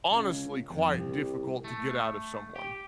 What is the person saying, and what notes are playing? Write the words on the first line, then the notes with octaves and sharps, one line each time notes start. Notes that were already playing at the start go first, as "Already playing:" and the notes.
honestly quite difficult to get out of someone,
C#2
F2
C2
A3
G4